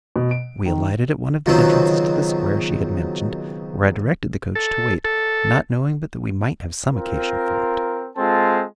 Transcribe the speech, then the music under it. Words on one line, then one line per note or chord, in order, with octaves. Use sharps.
We alighted at one of the entrances to the Square she had mentioned, where I directed the coach to wait, not knowing but that we might have some occasion for it.
B2
D7
D#3
C#2 B2 D#3 F#3 C4
A4
A4
C4 F4 A#4
G#3 C4 F4 A4 A5